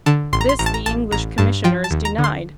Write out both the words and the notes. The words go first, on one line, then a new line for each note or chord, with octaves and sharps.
This the English Commissioners denied.
D3 A5
A1 C6
A#5
C6
A1 A#5
A5
A#5
A1 A5
A1 A#5
G2 A5
F3 G5
A5
D#2
A#5
D3
C6